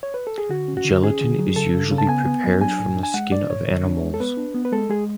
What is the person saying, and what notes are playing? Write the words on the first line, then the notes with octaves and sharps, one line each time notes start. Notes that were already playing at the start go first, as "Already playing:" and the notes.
Gelatin is usually prepared from the skin of animals.
C#5
B4
A4
G#4
D3 F#4
C#4
F#4
D3
C#4 G#4
D3
F#3
C#3 A4
C#3
C#3
A5
B3 G#5
B3
F#3
D4 G#5
A2
D4
G#5
G#3 F#5
D4 D5
A2 C#5
D3
D4
G#3
A4
B3 B4
D4
B3
B4
G#3 A4
G#3 G#4